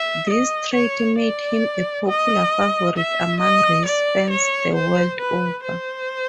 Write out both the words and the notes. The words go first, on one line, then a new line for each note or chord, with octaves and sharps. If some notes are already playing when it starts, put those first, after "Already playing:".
This trait made him a popular favorite among race fans the world over.
Already playing: E5
D#5
C#5
D5
D#5
E5
D#5
D5
C#5
C5
B4
C5